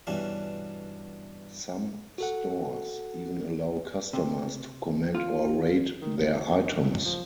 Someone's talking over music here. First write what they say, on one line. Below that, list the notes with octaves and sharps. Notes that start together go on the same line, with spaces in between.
Some stores even allow customers to comment or rate their items.
G2 B2 E3 C#4 D4
F#4 A4 F#5
C3
F4
D#3
G#1
G#1
F#2
D2
C#2
F3